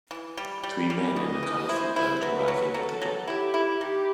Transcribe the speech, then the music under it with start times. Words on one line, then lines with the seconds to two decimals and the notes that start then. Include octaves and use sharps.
Three men in a colorful boat arriving at the dock.
0.11 E3
0.37 G3
0.63 G3
0.90 G3
1.16 E3 D#5
1.43 E3
1.69 E4 C5
1.96 E4
2.22 F#3 B4
2.48 F#3
2.74 F#3 A4
3.01 F#3
3.27 E4 G4
3.54 E4
3.81 D#3 G4